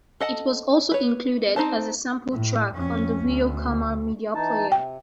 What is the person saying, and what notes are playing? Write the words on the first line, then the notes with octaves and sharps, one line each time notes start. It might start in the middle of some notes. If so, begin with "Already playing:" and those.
It was also included as a sample track on the Rio Karma media player.
A4 D#5 F#5 A5
B4 C#5
C4 D#4 C5 A5
A2
F2 C#4
D2
E3 D#4 A5
C3 G5